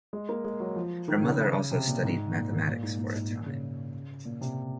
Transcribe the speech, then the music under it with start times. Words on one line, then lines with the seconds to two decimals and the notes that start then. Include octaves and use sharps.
Her mother also studied mathematics for a time.
0.13 G#3
0.29 A#3
0.44 G#3
0.60 F#3
0.76 F3
1.08 D#3
1.24 C#3
1.71 C3
1.87 A#2
2.03 G#2
2.35 A#2
2.51 G#2
2.67 A#2
2.83 G#2
2.99 A#2
3.14 G#2
3.30 A#2
3.46 C#3
4.25 A#2
4.41 C3